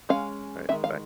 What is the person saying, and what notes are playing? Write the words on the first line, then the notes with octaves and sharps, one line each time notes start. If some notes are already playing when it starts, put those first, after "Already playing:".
Right, bye.
G#3 C#4 F5
D#3 G#3 C#4 E4 E5
F5